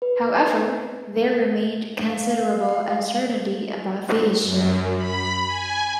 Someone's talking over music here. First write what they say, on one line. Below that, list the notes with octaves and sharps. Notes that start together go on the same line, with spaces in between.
However, there remained considerable uncertainty about the issue.
B4
F5
F#2
B5
G#5